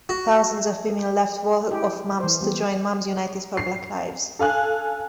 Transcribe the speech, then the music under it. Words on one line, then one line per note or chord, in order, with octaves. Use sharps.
Thousands of women left Wall of Moms to join Moms United for Black Lives.
F#4
E4 G4
E3 C5
G3 B3 G4
C7
A4 F5 G#5 F#6